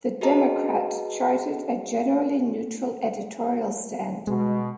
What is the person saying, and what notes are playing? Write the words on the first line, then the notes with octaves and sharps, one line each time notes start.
The "Democrat" charted a generally neutral editorial stand.
F#4 G#4 B4 D#5 A5 A#5
B2 G#3